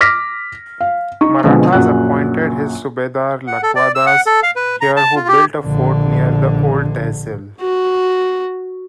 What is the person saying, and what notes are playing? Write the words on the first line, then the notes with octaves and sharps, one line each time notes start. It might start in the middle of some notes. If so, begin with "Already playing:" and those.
Marathas appointed his subadar Lakwadads here who built a fort near the old tehsil.
D6 F6 A#6 B6
F5
D#4 C#6
B2 D3 F3 G#3 C4
A#1 F#2 F#3 F#5 F#6
F#5
A4
D5
E6
F#5
A4
F5
B4
A#5
A5
F4
G4
A#1 D3
F#4